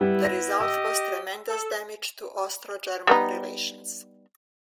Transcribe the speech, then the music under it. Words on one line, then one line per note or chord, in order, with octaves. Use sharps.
The result was tremendous damage to Austro-German relations.
G3 B3 E4
A#6
G4 D#5 E6
A4
G3 B3 D#4